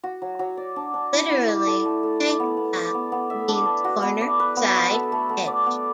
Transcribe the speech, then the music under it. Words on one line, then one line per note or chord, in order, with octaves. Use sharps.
Literally, "pe'ah" means "corner, side, edge".
F#4
F#3
F#3
D5
D4
D4
E4
E4
D5
A4
A3
A3
D5
B3
B3
D5
B3
B3
E5
D4
D4
F#4
B3
D5
B4
B3
E5
A4
A3
A3
D5
B3